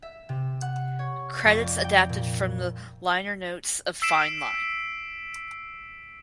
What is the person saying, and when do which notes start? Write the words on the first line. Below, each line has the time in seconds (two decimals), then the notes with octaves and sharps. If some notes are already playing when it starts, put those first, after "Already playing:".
Credits adapted from the liner notes of "Fine Line".
0.02 E5
0.29 C3
0.62 F#5
0.99 C#5
1.44 F2
1.59 D5
1.84 G5
2.09 A#2
4.02 E6 B6 C7 D7 E7